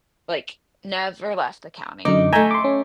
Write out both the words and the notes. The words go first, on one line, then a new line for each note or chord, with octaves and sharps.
Like, never left the county.
F#2 D3 D#4 D6
A3 E5 G#5 A#5 G6
C6 D6
C#4